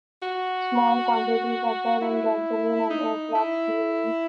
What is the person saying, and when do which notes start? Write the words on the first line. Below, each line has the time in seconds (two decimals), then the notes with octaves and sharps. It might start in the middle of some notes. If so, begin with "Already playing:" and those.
Small quantities occur in gasoline and aircraft fuels.
0.22 F#4
2.01 E4
2.90 D#4
3.35 E4